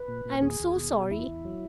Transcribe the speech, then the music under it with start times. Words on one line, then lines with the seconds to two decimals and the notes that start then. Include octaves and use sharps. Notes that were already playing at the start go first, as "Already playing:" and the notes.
I'm so sorry.
Already playing: B4
0.08 A#2
0.25 A#2
0.42 D#2 G#4
0.60 D#2
0.76 B2
0.93 B2
1.11 E2 E4
1.28 E2
1.45 F#3